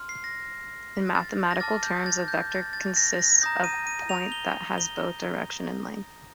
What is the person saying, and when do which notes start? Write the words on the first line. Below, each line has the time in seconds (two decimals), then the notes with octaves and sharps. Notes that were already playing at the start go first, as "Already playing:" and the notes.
In mathematical terms, a vector consists of point that has both direction and length.
Already playing: C6 F6
0.09 C7
0.24 A#6
1.15 A6
1.51 A#6
1.60 A5 D6 F6 A6
1.83 G6
2.06 A6
2.28 G6
2.51 A6
2.73 A6
2.96 A#6
3.19 A#6
3.42 A#5 D#6 G6 A#6
3.64 D#7
3.87 D#7
4.09 F7
4.32 G7
4.78 G7